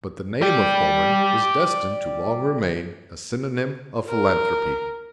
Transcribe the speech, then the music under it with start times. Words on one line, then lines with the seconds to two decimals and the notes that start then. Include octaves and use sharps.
But the name of Pullman is destined to long remain a synonym of philanthropy.
0.42 D5 G5
4.09 A#4